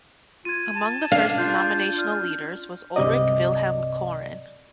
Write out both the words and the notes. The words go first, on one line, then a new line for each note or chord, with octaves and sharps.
Among the first denominational leaders was Ulrik Vilhelm Koren.
F4 G#6 D#7
A5
D4 F5
F4 G6
F4 F6
C2 G2 C3 D5 D#5